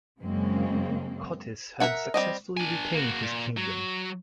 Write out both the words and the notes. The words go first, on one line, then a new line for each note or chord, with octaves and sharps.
Cotys had successfully retained his kingdom.
F#2 C#3 G#3 A#3 C4
A#4 B4 E5 F#5
G3 C4 D#5
D4 G#5
A#3 F#4
A#2
F#3